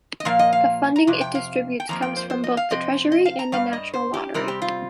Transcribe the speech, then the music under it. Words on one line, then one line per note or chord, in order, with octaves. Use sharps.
The funding it distributes comes from both the Treasury and the National Lottery.
D#5
A#2 F3 A#3 F5
D#5
F5
A#5
F2 C3
G5
F5
G5
F2 F3 A#3 A#5
G5
C5
C5
D#5
F5
C3 F3 C4 D#5
D#5
F5
A#5
G2 G3 F5
D#5
C5
G4
C3 G3 C4 A#4
G4
F4